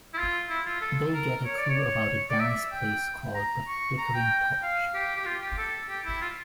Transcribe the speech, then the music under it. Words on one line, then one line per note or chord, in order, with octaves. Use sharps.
They get a clue about a dance place called The Flickering Torch.
E4
F4
E4
F4
A4
A#4
C#5
D5
C#5
D5
E5
G5
A#5
C#6
A#5
G5
F5
G4
G4
F4
G4
A4
G4
E4
F4